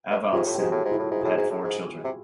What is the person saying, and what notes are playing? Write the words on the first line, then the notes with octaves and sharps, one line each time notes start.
Avildsen had four children.
G2
G#2 F4 G4
A2
G4
G#2 F#4 G#4
A2
G#2
E4 F#4
A2
G#2
A2 F#4 G#4
G#2
A2
G#2
C3